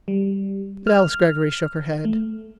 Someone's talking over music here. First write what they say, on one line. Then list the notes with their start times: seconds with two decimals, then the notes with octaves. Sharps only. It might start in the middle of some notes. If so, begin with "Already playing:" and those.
But Alice Greggory shook her head.
0.08 G3
0.87 F6
2.05 A3